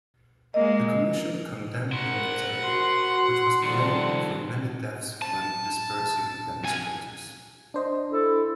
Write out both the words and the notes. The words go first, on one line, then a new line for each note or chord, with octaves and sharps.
The Commission condemned the military, which was blamed for many deaths when dispersing demonstrators.
G#3 A#3 D#5
A#4 C5 F#5
F#4 C6
C3 D#3 F3 G3 A4
A5
F2 G#5
D4 C5 D#5
E4 A4